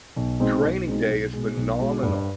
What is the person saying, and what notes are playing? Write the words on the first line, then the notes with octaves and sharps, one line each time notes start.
Training Day is phenomenal.
B1
B2 G#3 C4 D#4
B1
B2 G#3 C4 D#4
B1
B2 G#3
B1
B2 G#3
G2